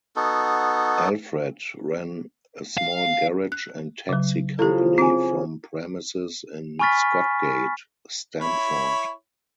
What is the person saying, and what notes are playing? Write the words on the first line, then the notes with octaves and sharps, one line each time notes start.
Alfred ran a small garage and taxi company from premises in Scotgate, Stamford.
B3 D#4 F#4 A4
F5
F#6
C#3 F#3
C#3 F3 E4 G4 A4
C4 G#4 G#5
G#5 B5 C#6 F6 A6 B6
E4 C#5 B5